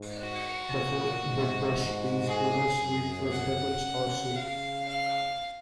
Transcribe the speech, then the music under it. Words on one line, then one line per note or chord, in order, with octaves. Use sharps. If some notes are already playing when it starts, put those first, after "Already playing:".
The fourth "big dish" is either sweet vegetables or soup.
Already playing: G#2
F#4
A#2
G#2
G#4
F#2
F#5
C#3
C#3 F5
F5